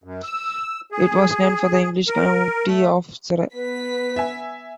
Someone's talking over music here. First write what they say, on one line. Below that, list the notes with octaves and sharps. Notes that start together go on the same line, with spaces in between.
It was named for the English county of Surrey.
F#2
E6
G#4
A#4
A3
B3 B4 B6
E5 G#5